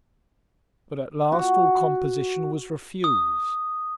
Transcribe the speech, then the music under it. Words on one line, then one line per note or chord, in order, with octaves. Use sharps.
But at last all composition was refused.
F#4
D#6